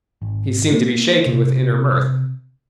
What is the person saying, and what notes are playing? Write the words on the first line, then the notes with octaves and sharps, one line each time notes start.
He seemed to be shaken with inner mirth.
G#1
A#3
C3